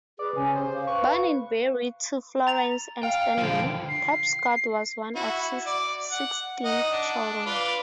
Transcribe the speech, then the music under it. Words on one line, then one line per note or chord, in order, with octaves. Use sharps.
Born in Barry, to Florence and Stanley, Tapscott was one of sixteen children.
G#4 B4 D5
C#3 G#5
G4 C5
F5
B4 C#6
A#5 A6 F7
F5 G5
D3 F3
C7
E4 F#4
D5
F#5
D#4 D#5 F#5
D4
F4 B4 D5